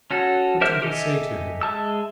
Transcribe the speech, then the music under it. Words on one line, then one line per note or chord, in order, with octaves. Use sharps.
What did he say to her?
C#4 F#4 A4
G4 A#4 C5 E5 F6
G4 A4 D#5 E5 G#5
G#3 E5 A5 E6